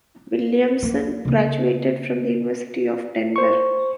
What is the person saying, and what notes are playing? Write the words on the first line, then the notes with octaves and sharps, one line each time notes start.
Williamson graduated from the University of Denver.
A#3
C#3 A#3
C5 C#6